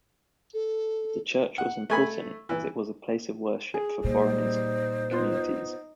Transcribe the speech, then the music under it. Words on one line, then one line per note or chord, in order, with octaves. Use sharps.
The church was important as it was a place of worship for foreigners communities.
A4
F#5
A3 G#5 B5
E3
G#4
A#2 G3 D#4 C5
B3 D#4 F4 C6